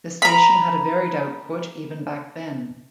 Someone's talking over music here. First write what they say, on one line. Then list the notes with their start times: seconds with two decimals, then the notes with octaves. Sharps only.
The station had a varied output even back then.
0.22 A#5 B5